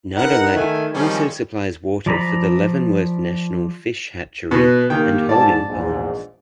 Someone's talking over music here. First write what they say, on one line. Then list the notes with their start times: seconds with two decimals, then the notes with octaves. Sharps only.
Nada Lake also supplies water for the Leavenworth National Fish Hatchery and holding ponds.
0.16 D#4 A#4 B4 F#5
0.54 D#3 A3 G#5
0.92 D#3 F3 G3 G#3 C4 C#4
2.06 F3 D5 A#5 B5
4.51 B2 B4
4.90 D#3 A#3 G4 G5
5.29 G#2 D5 A5
5.66 A#1 E2 G#2